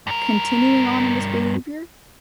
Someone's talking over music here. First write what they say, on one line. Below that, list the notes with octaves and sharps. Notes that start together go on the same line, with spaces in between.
continuing on in this behavior,
G2 A#4